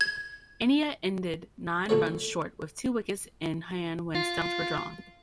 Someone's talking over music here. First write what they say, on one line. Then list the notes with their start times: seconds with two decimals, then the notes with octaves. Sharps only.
India ended nine runs short with two wickets in hand when stumps were drawn.
0.01 G#6
1.89 A#2 D3 F#3 A3 A4 C#5
4.15 F4